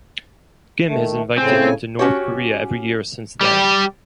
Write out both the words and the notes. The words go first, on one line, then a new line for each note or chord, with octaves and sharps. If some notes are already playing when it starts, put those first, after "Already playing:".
Kim has invited him to North Korea every year since then.
D#3 A3
A2 C#3 C4 G#5
C#4 F#4 G4 C#5
G3 G4